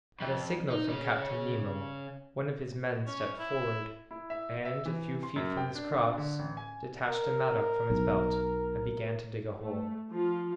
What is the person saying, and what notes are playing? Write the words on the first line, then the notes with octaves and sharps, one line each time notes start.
At a signal from Captain Nemo, one of his men stepped forward and, a few feet from this cross, detached a mattock from his belt and began to dig a hole.
F2
D#4
C#3 C#4
C#4
E4
E4
E5
E5
E3
C6
F#2
G5
D4
D3
A1
G#5
A#4
B1
A3
F3 F4